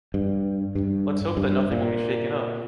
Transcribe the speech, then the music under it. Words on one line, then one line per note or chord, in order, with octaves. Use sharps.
Let’s hope that nothing will be shaken up!
G2
G2
G2
A#2